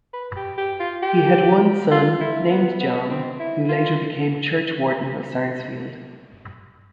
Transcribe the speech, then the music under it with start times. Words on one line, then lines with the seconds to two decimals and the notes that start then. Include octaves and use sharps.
He had one son, named John, who later became churchwarden of Sarnesfield.
0.13 B4
0.36 G4
0.58 G4
0.80 F4
1.02 G4
1.91 F4
2.20 E4
2.50 B3
2.80 B3
3.10 C4
3.40 E4
3.69 F4